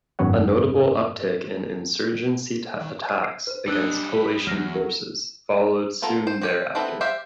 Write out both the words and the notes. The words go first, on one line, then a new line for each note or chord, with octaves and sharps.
A notable uptick in "insurgency" attacks against coalition forces followed soon thereafter.
G#1 F#2 B3 C#5 F#5
B4 C5
G3 D4 D#5 E6 F#6
B5
E2 F#3 F6 A#6 C7
B3 F4 A4 A#4
C5
C4 G4 C#5
B3 C4 E4 A4 B4
G4 C5 E5 F5